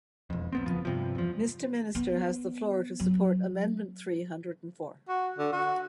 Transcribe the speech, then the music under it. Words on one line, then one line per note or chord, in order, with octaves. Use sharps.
Mr Minister has the floor to support amendment three hundred and four.
E1 F2
B1 B3 C4
F#1 E2 F3 B3
G2 C3 F3
E2 F3
B3
F#3
F#4
D3
F#4